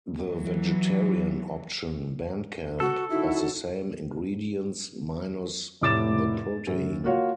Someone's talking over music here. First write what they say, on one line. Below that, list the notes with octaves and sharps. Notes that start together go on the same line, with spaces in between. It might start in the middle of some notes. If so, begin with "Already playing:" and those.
The vegetarian option, band camp, has the same ingredients minus the protein.
E3 F#3
F#4 A4
F#2 D3 D#4 E4 F#4
F1 A2 D6 A6 E7
F#2
A#3 F4 F#4 C#5 F5